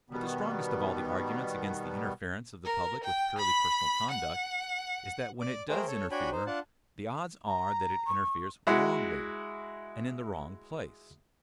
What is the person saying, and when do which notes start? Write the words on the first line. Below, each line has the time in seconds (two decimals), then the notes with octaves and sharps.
But the strongest of all the arguments against the interference of the public with purely personal conduct, is that when it does interfere, the odds are that it interferes wrongly, and in the wrong place.
0.10 B2 D#3 G3 B3
2.65 A#4
3.03 G5
3.38 B5
4.11 F#5
5.40 D5 D6
5.69 A3 G#4 A#4 C5 G5
5.87 A4 C#5
6.11 D4 F#4 C#5 G5 G#5 B5
6.32 D#4 C5
6.47 D4 F4 F#5 A5
7.47 A#5
8.07 C#6
8.67 G#3 E4 F#4